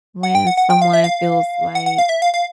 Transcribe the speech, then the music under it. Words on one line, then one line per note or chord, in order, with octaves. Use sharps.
when someone feels like
F#5
G5
F#5
F#5
G5
F5
E5
F5
F#5
F#5
F5
E5
F5
F5